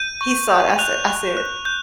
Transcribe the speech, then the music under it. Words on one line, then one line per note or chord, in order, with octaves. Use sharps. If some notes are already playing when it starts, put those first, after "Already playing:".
he saw it, I said I said
Already playing: G6 D#7
C#6
G6
F#6 F7
F#6
F#6
G6